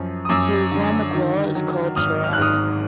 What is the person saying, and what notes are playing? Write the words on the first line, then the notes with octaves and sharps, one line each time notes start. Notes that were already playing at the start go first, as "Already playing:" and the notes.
The Islamic law is called shariah.
Already playing: F#2 F3
D#6
F#2 D6 E6
D3
D#3
F#3
G#1 D#6 F6
F6
F#6
G#2 D#6 F6